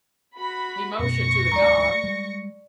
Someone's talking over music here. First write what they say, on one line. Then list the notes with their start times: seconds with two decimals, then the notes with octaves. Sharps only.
He motioned to the guard.
0.37 F#4 B5
0.99 F#2 B2 C#6 A#6 C#7
1.52 D2 G#2 F#3 D5 A#5
2.04 G3 G#3